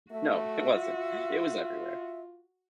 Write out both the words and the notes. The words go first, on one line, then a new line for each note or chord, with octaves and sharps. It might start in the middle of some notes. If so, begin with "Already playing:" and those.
no, it wasn't. It was everywhere.
A3 F#4 E5
F4